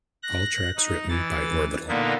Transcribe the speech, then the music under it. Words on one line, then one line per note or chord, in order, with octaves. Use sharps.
All tracks written by Orbital.
F#6 A#6
D#4
E3 A6
A#2 D3 A#3 B3 D#4